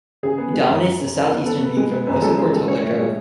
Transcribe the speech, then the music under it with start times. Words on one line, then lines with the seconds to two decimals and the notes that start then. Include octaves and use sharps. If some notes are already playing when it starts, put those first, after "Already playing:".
It dominates the southeastern view from most of Portola Drive.
0.23 C#3 G#4
0.38 B3
0.54 G#3
0.68 F#2
0.84 F#2
0.99 F#2
1.15 C#3
1.30 B3
1.45 B3 A4
1.61 B3
1.77 G#3
1.91 B3
2.07 F#2 B4
2.22 G#3 A4
2.37 C#3 G#4
2.53 G#3 A4
2.68 C#4 C#5
2.83 A2
2.99 G#3